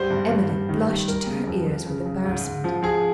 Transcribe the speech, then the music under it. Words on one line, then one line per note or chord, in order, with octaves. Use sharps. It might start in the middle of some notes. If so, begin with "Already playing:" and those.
Emily blushed to her ears with embarrassment.
Already playing: G#2 G3 C5
G2
G2
G2
D#3
G2
G3 A#4
C#3
F2
F2
C#3
C#3
G#2
G#2
F3
F3 G#4